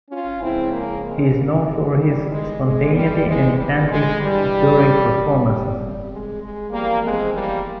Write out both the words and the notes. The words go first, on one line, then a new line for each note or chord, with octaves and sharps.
He is known for his spontaneity and antics during performances.
C#4 F4
C#2 C#3 F3 C4 E4
A#3 C#4
G#3 C4
G3 A#3
E2 E3 G#3
G3
G#3
G#3
E2 E3 G3
G#3
G3
G#3
G2 E3 G3
C2 C3 E3 G3
G3
G#3
G#3
E2 C3 F3 G3 A#3
G#3 C4
G3 A#3